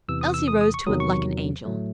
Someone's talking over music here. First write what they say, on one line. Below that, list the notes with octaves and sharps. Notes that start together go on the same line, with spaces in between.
Elsie rose to it like an angel.
E2 C3 E3 E6
D#6
E6
D#6
D#6
C#6
E2 C3 D#3 F#3 D#6
C#6
C#6
A2 F#3 A3